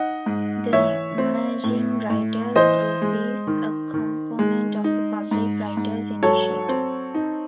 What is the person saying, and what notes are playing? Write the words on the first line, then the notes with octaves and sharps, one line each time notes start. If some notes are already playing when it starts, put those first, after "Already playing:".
The Emerging Writers Group is a component of The Public Writers Initiative.
Already playing: D#4 D#5 F#5
G#2
E3 C#5 E5
C4
A2
A2
E3 C5 D#5
G#3
D#3
D#3
G#3
D#4
G#2
G#2
F#3 A4 C#5
C4
D#4